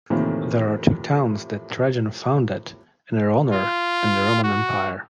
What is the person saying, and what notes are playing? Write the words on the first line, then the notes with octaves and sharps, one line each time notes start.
There are two towns that Trajan founded in her honor in the Roman Empire.
F2 A2 C3 D#3 E3 A#3
F4
F#4